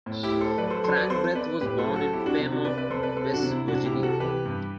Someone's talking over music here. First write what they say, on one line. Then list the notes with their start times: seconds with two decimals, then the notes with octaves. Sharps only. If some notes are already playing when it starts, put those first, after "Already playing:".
Frank Breth was born in Fairmont, West Virginia.
0.06 A2
0.23 E4 G4
0.32 A2
0.41 A4 C5
0.58 F#3 B4 D5
0.70 A4 C5
0.84 F#3 A4 C5
0.97 B4 D5
1.09 C4 A4 C5
1.35 C4 B4 D5
1.61 A2 G4 B4
1.78 A4 C5
1.87 F#3
1.96 F#4 A4
2.13 C4 E4 G4
2.26 D4 F#4
2.39 C3
2.52 D4 F#4
2.65 C4 B4 D5
2.78 B4 D5
2.90 C3 A4 C5
3.03 B4 D5
3.16 C4 A4 C5
3.33 D4 F#4
3.42 C3
3.51 E4
3.68 C3 D4 F#4
3.85 E4 G4
3.94 C3
4.03 F#4 A4
4.20 E3 G4 B4
4.45 G2